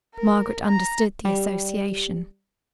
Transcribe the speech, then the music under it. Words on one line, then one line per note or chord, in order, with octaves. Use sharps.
Margaret understood the association.
A#4
A#5
G3